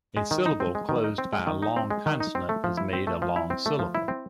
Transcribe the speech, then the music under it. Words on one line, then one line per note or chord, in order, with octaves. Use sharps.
A syllable closed by a long consonant is made a long syllable.
G#3
D#3
D#4
C4
G#3
D#3
D#4
C4
G#3
D#3
D#4
C4
G#3
D#3
D#4
C4
A3
F3
E4
C4
A3
F3
E4
C4
A3
F3
E4
C4